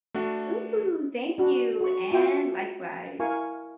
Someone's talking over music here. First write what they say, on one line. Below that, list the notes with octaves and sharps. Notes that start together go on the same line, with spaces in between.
Ooh, thank you, and likewise.
A3 D4 F#4
D4 F#4
F#4 C#6
F4 F#4 E5 G5 C6
E4 A#4 F5 G#5 C#6